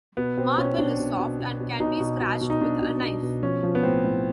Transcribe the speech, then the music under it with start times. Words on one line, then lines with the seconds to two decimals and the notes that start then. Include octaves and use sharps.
Marble is soft, and can be scratched with a knife.
0.17 B2 B3
0.38 B2 C4
0.58 B2 C#4
0.78 B2 D4
0.99 B2
1.19 B2
1.40 B2
1.60 B2
1.80 B2 D#4
2.00 B2
2.20 B2
2.41 B2
2.50 D#4
2.61 B2 D4
2.82 B2
3.02 B2
3.22 B2
3.43 F3 C#4
3.63 F3
3.75 B3
3.83 A2 C4
4.04 A2